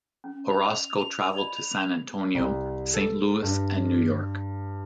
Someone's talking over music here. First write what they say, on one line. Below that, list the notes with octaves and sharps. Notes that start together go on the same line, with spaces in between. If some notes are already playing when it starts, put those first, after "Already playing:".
Orozco traveled to San Antonio, Saint Louis and New York.
C#4
F7
D5 D#5 B5
C2
A4
G2